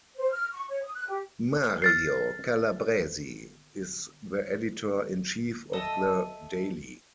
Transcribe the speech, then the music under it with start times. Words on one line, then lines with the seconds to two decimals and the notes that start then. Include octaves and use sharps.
Mario Calabresi is the editor-in-chief of the daily.
0.17 C5
0.31 F6
0.52 C#6
0.69 C#5
0.82 D#6
0.94 F#6
1.08 G4
1.82 F6 A6 C7
5.73 A4 D#5 E5 A5